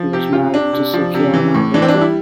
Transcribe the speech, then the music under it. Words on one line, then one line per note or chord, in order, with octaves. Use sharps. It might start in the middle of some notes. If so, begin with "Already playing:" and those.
He was married to Sikiona Luka.
Already playing: F3
C3 G4
C3 F4
C3 D4
C3
F3
C3
E3
A2
E3 D4
C4
D4
G3
E4